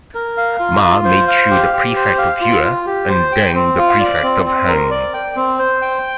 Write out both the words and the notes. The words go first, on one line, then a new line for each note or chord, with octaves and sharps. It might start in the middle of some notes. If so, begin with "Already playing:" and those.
Ma made Xu the prefect of Yue and Deng the prefect of Heng.
A#4
F5
F4
F4
C5
F5
G4
G4
C5
F5
F4
F4
G4
C5
G5
C4
F4
D5
C4
C4
A#4
D5
G5
C4
C5
G5